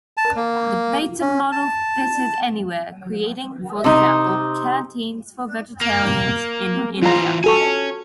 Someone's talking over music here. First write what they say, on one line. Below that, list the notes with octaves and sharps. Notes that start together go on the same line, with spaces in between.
The Bata model fitted anywhere, creating, for example, canteens for vegetarians in India.
A5
A#3
C#4
A5
C3 D#4
A#3
E3 F4 C5 A#5
F#4 A4 C#5 G#5 C#6